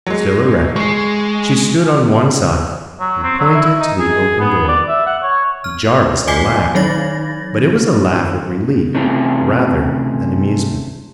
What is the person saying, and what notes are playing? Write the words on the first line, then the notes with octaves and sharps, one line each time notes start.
Still erect, she stood on one side and pointed to the open door. Jarvis laughed, but it was a laugh of relief rather than amusement.
F#3 G#3
G#3 C#6 C7
F#3
C4
F#3
E4
D#4
G#4
B3
D5
E5
F#5
C#5
F6
D5 D#5 G#5 D6 B6 C7
D#3 F#3 D#4 C#5 A6 A#6
C3 E3 A3 C4 C#4